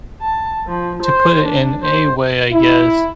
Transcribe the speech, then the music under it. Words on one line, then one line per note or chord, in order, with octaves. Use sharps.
To put it in a way, I guess,
A5
F3
C5
D4
C5
E4